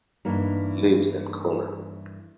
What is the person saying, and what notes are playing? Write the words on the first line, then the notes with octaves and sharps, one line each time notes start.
He lives in Khulna.
G2 E3 A#3 D#4